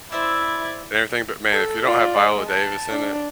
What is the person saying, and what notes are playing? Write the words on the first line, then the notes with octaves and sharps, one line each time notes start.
and everything but, man, if you don't have Viola Davis in it,
E4 C5 D5 E5 E6 G#6
A4
F4 D5
G#3
A5
D4